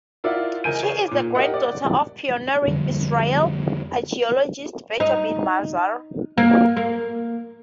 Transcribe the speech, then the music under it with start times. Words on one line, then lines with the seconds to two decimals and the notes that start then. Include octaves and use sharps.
She is the granddaughter of pioneering Israeli archaeologist Benjamin Mazar.
0.24 E4 F4 A#4 D5 E5 F#5
0.64 C#2 E4 A#4 G#5 G6 D#7
0.82 G#4 B4 C#5
1.08 A#2 D6
1.35 G4 A#4 D#5 F#5
1.54 D5
2.67 F2 D3 F3 G3
5.00 D#4
6.38 A#3
6.77 A#3